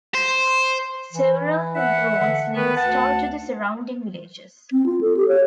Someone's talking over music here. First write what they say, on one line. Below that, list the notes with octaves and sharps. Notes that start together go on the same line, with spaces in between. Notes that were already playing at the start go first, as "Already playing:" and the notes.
Several roads link Stow to the surrounding villages.
C5
E3
E5 F#5
D3
D#3 B3 B4
D2 F#5 A5
C4
F4
A4
G4
C#5